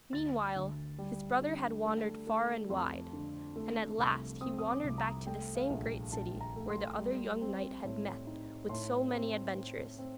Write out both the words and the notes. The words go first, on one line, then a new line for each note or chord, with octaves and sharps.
Meanwhile his brother had wandered far and wide, and at last he wandered back to the same great city where the other young knight had met with so many adventures.
D2 A6
D2
G3
D3
A3
A3
F2 C6
D3
A3
C2
C4 D#6
D#6
D6
C2
A#5
A3 G5
F5
A#1
A#1 A5
A#5
A3
C6
G3
C4
A2
D#4
A2 C6
C4
C4
C4